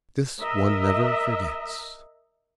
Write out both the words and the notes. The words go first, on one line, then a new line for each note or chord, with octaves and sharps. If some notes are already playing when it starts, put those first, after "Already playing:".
"This one never forgets!"
A#4 D#5 E5